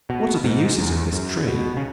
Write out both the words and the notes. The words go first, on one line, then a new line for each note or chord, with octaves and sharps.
What are the uses of this Tree?
B2
G#2
E2
F#2
B2
C#3